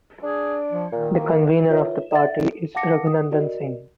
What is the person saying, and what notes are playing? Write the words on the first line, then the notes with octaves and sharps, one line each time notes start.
The convenor of the party is Raghunandan Singh.
D4 G#4
F3
A#2 D#3
A#3
F4 B4 C#5 E5
D5 E5 A6
A4
F5 F#5 A5 D6 A#6 C#7
D#6
F#4 A#4 D5 D#5